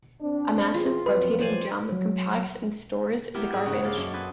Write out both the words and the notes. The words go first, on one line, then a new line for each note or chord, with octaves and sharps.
A massive rotating drum compacts and stores the garbage.
C4 D4
E3 C4 F4 G#4
F2 F#3 B4
C5 D5 G#5
F#3
B3 E4 G4 A#4
G#2 G#4
G2 C#3 F#5 A#5
G#3 A#3 A4 D5 F5
F#2
A4 B4 C5 D#5 G#5 B5